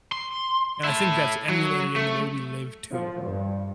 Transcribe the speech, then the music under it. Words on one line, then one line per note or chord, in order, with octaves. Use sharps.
And I think that's emulated in the way we live, too.
C6
E4 A4
F#3
A3
F3
G2